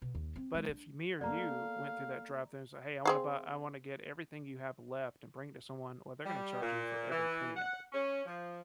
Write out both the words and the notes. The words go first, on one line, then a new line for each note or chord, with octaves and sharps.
But, if me or you went through that drive-thru and say, "Hey, I wanna buy I wanna get everything you have left and bring it to someone," well, they're gonna charge you for every penny of it.
B2
D#2
C4
G#3
D4
A#3 B3 A4 D5 F5 A#5
C4 G#4 F5
G3
A#2
E3
F#5
C#4
F3